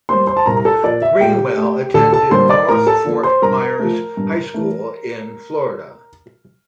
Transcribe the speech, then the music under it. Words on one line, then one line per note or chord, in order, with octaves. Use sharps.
Greenwell attended North Fort Myers High School in Florida.
G3 A#3 C5 C6
C5 C6
A5
C2 A#4 A#5
A#5
A4 A5
A#2 F3 A#3 D5
E5
A#2 G4 G5
A3
D2 A4 A5
A4 A5
D3 G3 A#3 C5 C6
D5 D6
A2 A#4 A#5
A4 A5
F3 A#3
C5 C6
G2 A#4 A#5
F3 A3
G2
E3 A3